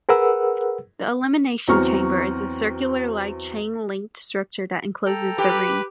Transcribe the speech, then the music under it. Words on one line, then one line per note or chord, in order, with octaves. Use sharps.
The Elimination Chamber is a circular-like chain-linked structure that encloses the ring.
G#4 A#4 B4 F#5 E6
E2 F#3 C4 A#5 C#6 F6
A4 G5 A#5
G4 B4